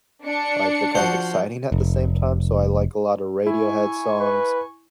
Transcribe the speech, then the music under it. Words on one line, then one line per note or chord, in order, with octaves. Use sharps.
like, they're kind of exciting at the same time. So, I like a lotta Radiohead songs,
D4 C#7
F3 F#4 C5
F1
E4 G#5 C#6
B4